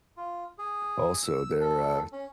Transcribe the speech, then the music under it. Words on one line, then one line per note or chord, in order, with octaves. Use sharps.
Also, they're, uh
F4
G#4
E6
A4
C#4